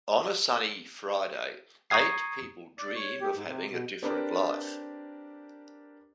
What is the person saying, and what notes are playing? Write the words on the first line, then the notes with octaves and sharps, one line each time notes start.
On a sunny Friday eight people dream of having a different life.
A#5 C#6 D#6 G#6 C7
D5
C#5
G4
G#2
C3
B2
C4 D4 G4 A#4 B4 D5